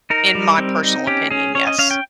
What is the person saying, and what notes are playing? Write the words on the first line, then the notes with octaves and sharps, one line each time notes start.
in my personal opinion, yes.
D#4 A#4
G3
C4
D#4
C#4 G4
C#4 G#4
C#4 C#5
D#5
C#4 F5
G5